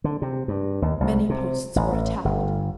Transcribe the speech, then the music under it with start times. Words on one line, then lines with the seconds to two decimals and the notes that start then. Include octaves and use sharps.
Many posts were attacked.
0.04 D3
0.22 C3
0.48 G2
0.82 D#2
1.00 C2
1.30 C3
1.76 A1
1.92 A1
2.25 G1